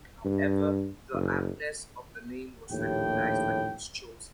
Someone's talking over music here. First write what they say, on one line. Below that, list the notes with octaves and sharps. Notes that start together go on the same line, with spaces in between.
However, the aptness of the name was recognized when it was chosen.
G2
F#1
A#1 D#2 A2 G4 G5